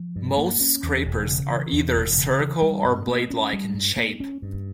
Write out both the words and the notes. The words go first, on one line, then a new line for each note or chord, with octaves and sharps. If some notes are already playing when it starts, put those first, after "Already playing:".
Most scrapers are either circle or blade-like in shape.
Already playing: F3
G2
A#3
C#4
E2
E1
C#3
E3
E2
E1
C#3
E3
G3
G2
A#3
C#4
G3
G2
A#3
C#4
G2